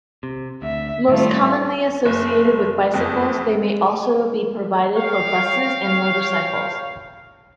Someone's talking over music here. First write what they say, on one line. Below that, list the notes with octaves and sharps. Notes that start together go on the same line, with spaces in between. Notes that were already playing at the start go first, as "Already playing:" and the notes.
Most commonly associated with bicycles, they may also be provided for buses and motorcycles.
C3
D2 E5
A2 D#3 G3 A3 F4
F#1
F#1 F2
C#5 F5 G5